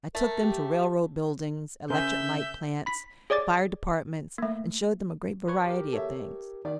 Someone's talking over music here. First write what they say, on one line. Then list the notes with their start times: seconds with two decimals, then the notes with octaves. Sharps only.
I took them to railroad buildings, electric-light plants, fire departments, and showed them a great variety of things.
0.15 A3 A#4
0.40 G4
1.90 C#3 G#4 A#4 C5 E5 G6
2.86 B5 B6
3.30 G#4 C#5 D5 D6 A6
4.38 A3 A#3
5.48 B4 C#5 C#6
5.66 G4 A#4
5.93 A4 C#5 E5
6.65 D#3 D5